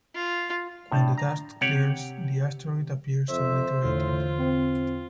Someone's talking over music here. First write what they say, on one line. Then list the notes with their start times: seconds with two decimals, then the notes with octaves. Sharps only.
When the dust clears, the asteroid appears obliterated.
0.15 F4
0.92 A2 D4 G6 A6
1.18 A#5
1.61 C3 G4 C#5 F#5
3.30 F2 C5 E5
3.84 E2 A2 D3 F4
4.38 C4